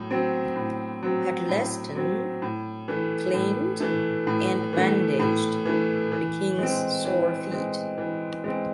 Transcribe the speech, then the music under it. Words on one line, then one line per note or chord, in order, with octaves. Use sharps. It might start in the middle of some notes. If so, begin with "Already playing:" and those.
Huddleston cleaned and bandaged the King's sore feet.
Already playing: A2 F#3
F#3 C4
A2
F#3 C4
A2
F#3 C4
A2
E3 A3
A2
E3 A3
A2
E3 A3
A2
E3 A3
E3
G#3 C4
E3
G#3 C4
E3
G#3 C4